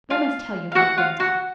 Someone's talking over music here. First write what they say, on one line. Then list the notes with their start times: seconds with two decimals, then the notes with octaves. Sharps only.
But I must tell you how it went off.
0.10 F4 F5
0.72 F5
0.75 F#4 F#5
0.98 F4 F5
1.20 F#4 F#5